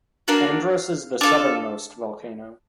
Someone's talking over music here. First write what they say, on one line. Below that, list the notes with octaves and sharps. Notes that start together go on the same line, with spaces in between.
Andrus is the southernmost volcano.
A#3 D4 F#4 F5
D4 F4 A4 A5